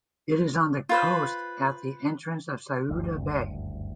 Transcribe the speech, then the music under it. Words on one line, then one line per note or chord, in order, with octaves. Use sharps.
It is on the coast at the entrance of Souda Bay.
F4 B4 C5
F#1 D2 G2